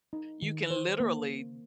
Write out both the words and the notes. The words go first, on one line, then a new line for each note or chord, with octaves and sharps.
you can literally
D#4
D#3
C5
A#3